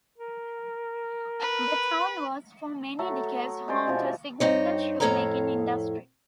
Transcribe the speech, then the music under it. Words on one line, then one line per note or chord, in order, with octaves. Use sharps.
The town was for many decades home to a significant shoe-making industry.
A#4
B4
F#3 A3 A4
G#3 G4 C5 D5
B2 E3 F3
G2 C4 D#4 C#5
F2 A2 A4 C#5 F5 A#5